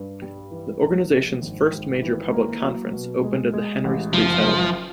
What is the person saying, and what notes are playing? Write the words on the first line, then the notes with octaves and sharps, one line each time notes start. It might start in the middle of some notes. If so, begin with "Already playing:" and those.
The organization's first major public conference opened at the Henry Street Settlement.
Already playing: G2
G3
E3
A#1
A#1
G#1
G#1
E3
A#3
F#3
B2
G#3
G#3
A1
F#1 F3
F#1